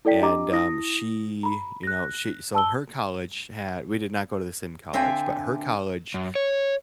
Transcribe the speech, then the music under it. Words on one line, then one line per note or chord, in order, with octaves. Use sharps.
and, um, she, you know, she so her college had we did not go to the same college, but her college
E4 A4 D5 G5 B6
D4 G4 D#5 A#5 D6
E4 D#6 A#6
A#5 B5
F#6 A#6
A5 E6 G7
D3 C4 E5 F5 G5 G#5
F#2
C#5